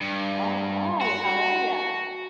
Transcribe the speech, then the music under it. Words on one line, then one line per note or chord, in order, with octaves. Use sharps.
All right, how are ya?
G2
F#4